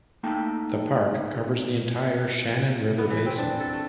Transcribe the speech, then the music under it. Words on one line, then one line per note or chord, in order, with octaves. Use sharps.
The park covers the entire Shannon River basin.
A3 A#3 D#4 G5 A5
B3
E3
C4
D4
A4
A3